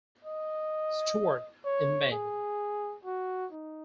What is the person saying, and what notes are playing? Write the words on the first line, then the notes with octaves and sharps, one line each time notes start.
Stuart in May.
D#5
C#5
G#4
F#4
D#4